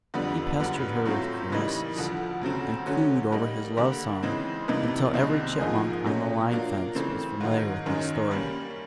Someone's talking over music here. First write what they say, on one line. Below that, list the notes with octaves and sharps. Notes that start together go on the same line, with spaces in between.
He pestered her with caresses and cooed over his love-song until every chipmunk on the line fence was familiar with his story.
F2 D3 G3 B3 D4
F#2 D3 G3 B3
A2 F#3 A3 C4 F4
C#3 E3 G3 A#3 D#4
D2 D3 F3
D2 C#3 F#3 A3 C4
D3 F#3 A3 C#4
G3 A#3 D#4
D3 G3 A#3
C#3 E3 G#3 C4 D#4
C3 E3 G3 A#3 D#4
C2 C3 D#3 G#3 C4
G#2 F3 A#3 D#4 G#4
B2 F#3 A3 C#4
F#3 A#3 D4 F4 A#4
C#3 E3 A3 C4
G#2 D#3 F#3
F#2 D#3 G#3 C#4
G3 A#3 C#4